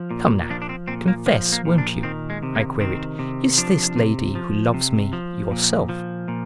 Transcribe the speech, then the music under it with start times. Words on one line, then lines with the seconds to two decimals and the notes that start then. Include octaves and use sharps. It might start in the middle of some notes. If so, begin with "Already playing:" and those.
"Come now, confess, won't you," I queried, "is this lady who loves me yourself?"
Already playing: F3
0.11 A#2
0.50 F3 D4
0.62 D4
0.69 C4
0.88 A#2 C4
1.08 A#3
1.26 F3 G#3
1.52 A#3
1.65 A#2
1.78 D4
2.03 D#3 C4
2.30 G#3
2.43 C3
2.55 A#3
2.80 D#3 C4
3.19 C3
3.58 F3 D4
3.96 C3
4.35 F3
4.74 C3
5.13 F3
5.51 A#2
5.89 F3
6.28 A#2